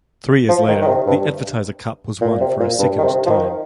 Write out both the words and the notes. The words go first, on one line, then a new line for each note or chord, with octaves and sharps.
Three years later the Advertiser Cup was won for a second time.
F3
D#3
D#3
C3
G2
A#2
C3
A#2
G2
D#3
C3
F3
D#3